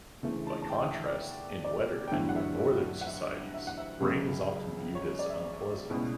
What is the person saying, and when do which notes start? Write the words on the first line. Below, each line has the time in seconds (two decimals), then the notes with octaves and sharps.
By contrast in wetter and more northern societies, rain is often viewed as unpleasant.
0.23 D2 C#3 E3 A3
0.47 A5
0.62 A5
0.70 G5
0.82 F#5
0.94 E5
1.05 D5
1.64 D5
2.08 G5
2.11 G2 D3 F#3 A3 E4 F#5
2.29 F#5
2.36 E5
3.01 F#5
3.06 E5
3.54 E5
3.67 F#5
3.77 E5
4.00 C#2 C#3 F#3
4.95 C#5
5.19 D5
5.29 E5
5.41 D5
5.89 C#2 B2 A3 E4